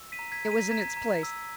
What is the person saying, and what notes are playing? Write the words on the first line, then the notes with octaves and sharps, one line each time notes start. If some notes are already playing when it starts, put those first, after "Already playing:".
It was in its place.
Already playing: E6
B6 D#7
A#5
G#6 B6
A#5
B6 D#7
A#5 G#6 B6
A#5
E6